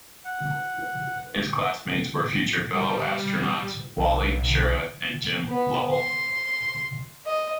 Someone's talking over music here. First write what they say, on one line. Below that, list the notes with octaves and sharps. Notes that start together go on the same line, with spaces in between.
His classmates were future fellow astronauts Wally Schirra and Jim Lovell.
F#5
G3
B1
B3
C6
D#5